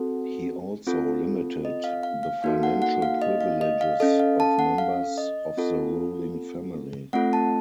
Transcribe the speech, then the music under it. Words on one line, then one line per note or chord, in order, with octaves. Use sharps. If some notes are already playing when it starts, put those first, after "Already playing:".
He also limited the financial privileges of members of the ruling family.
Already playing: C4 F#4 A4
C4 F4 A4
D#5
F5
F5
F5
A#3 D#4 F#4 A4 F5
F#5
F#5
F5
D#5
F5
D#5
F5
C#4 A4 D#5
F5
A5
F#5
F5
D#5
C4 F4 A4
A3 C4 F4 A4 F#5
A5